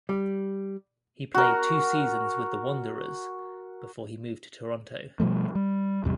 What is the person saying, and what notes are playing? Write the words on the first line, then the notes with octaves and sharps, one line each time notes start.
He played two seasons with the Wanderers before he moved to Toronto.
G3
F#4 A#4
B2 F3 G3 A3
G3
A1 E2 C3 G3